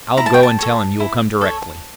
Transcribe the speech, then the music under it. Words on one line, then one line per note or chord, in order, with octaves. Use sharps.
"I'll go and tell him you will come directly."
E4 A#5
A5
G5
A5
A4 C#5
E4
A4 C#5